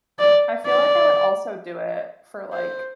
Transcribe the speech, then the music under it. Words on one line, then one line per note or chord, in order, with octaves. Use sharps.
I feel like I would also do it for, like,
D5
D5
C5